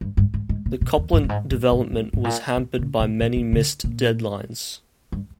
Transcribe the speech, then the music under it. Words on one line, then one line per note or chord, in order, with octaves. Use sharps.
The Copland development was hampered by many missed deadlines.
G2
G2
G#2
G#2
A#2
B2
E2
G2
G2
G#2
G2
G#2
G2
G#2
A#2
B2
C#3
B2
A#2
A#2
C#3
A#2
G2